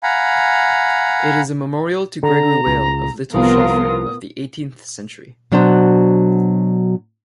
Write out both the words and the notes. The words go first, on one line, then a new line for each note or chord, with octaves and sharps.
It is a memorial to Gregory Wale, of Little Shelford, of the eighteenth century.
F5 F#5 G#5 A#5 B5
D3 A#5
C#2
C2 F3 B3 F4 A#4 D#6
B2 F#3 D4 F#4 C5